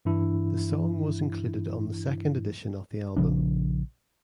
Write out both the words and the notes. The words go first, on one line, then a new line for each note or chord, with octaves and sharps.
The song was included on the second edition of the album.
G2 E3 D4 E4
A#1 C#3 F3 D4